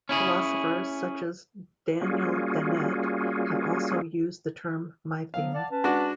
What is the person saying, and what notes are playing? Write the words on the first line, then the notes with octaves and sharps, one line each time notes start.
Philosophers such as Daniel Dennett have also used the term "mytheme".
C#4 E4 G#4
G3 A#3 C#4 F4 F#4 G#4
F3 F#3 B3 F5
D5 F#5 A5
C#4 B4 A5
G#3 D4 F#4